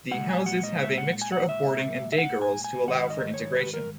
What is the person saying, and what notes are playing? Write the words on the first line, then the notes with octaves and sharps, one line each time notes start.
The houses have a mixture of boarding and day girls to allow for integration.
A#2 G#3 F#5
G#5
F#5
D#5
E5
F#5
G#5
F#5
E5
E5
F#5
G#5
G#5
G#2 D#3 F#5
D#5
C#5
B4
A#4